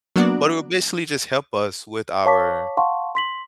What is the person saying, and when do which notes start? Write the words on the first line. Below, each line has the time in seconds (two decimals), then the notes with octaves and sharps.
But it would basically just help us with our
0.16 F#3 A#3 B3 D4 F#4 D5
2.26 C#5 F5 A5 C#6 D6 B6
2.77 F5 F#5 A5 C6 C#6
3.15 C6 B6 F#7